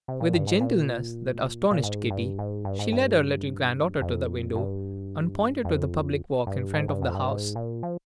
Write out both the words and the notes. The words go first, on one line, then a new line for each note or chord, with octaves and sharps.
With a gentleness that astonished Kitty, she led her little granddaughter to the window, and pointed to the public walk in front of the house.
C3
A#2
G2
G#2
A#2
A#2
G#2
G2
G#2
G2
G#2
G2
F2
G2
F2
G2
G#2
G2
F2
G2
G#2
A#2
F3